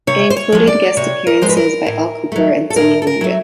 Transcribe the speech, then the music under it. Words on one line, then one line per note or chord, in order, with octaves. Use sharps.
It included guest appearances by Al Kooper and Sonny Landreth.
C3 C#5
C5
C#5
F3 G#3
D5
C3 C#5
A#4
F3 G#3 C5
B4
A#4
A2
F#3 A3
A4
A2 A#4
A4
A#4
F#3 A3